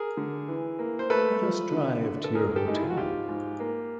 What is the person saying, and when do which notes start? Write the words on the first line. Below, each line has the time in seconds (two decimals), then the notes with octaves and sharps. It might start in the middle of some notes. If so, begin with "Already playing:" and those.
Let us drive to your hotel.
Already playing: G#4 A#4
0.17 D3
0.48 E3
0.79 A#3
0.99 C5
1.10 A3 A4 B4
1.42 F3
1.72 D3
2.04 D3
2.24 A4
2.35 G#3 G#4 A#4
2.50 A#4
2.56 G4 A4
2.66 G#3 D#4
2.75 E4
2.83 F4
2.90 F#4
2.97 G#2 F4 G4
3.29 G#2
3.60 A#3